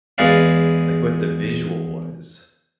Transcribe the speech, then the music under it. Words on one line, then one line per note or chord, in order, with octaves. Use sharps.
like, what the visual was.
E2 G#3 G#4 B4 D5 F5